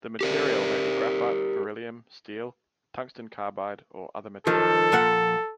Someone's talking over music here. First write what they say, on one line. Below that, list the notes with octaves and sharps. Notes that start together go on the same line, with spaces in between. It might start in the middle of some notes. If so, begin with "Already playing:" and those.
The material may be graphite, beryllium, steel, tungsten carbide, or other materials.
G4 A#4 D5
D#3 F3 A4
A#2 F3 F#5